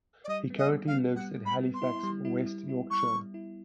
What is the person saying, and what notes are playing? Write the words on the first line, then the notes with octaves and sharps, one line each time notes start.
He currently lives in Halifax, West Yorkshire.
D5
G3 D#5
B3
D#5
G3
F5
B3
G3 F#5
G3
B5
B3
C6
E4
G3
E4
G3
E4
G3 C#6
G3
E4